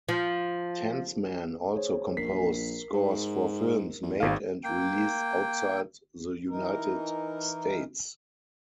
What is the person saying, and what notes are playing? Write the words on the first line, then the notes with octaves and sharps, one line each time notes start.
Tansman also composed scores for films made and released outside the United States.
F3
G#4 C5 C#5
A#1 A#4 B6 C7
G#2
E2
G#1 G#2 F5
A#3 G5
E3 D#4 A#4